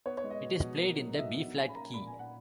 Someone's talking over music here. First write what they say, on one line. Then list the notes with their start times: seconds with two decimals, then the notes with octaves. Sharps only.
It is played in the B flat key.
0.06 B3 C#5
0.18 C#5
0.24 G#3
0.30 D#5
0.43 B2
0.62 B2
0.80 A#3
1.00 F#3
1.14 D#5
1.18 B2 E5
1.37 B2
1.56 C#4 G#5
1.69 B5
1.75 A#3 A#5
1.94 A#2 B5
2.07 G#5
2.13 A#2
2.19 F#5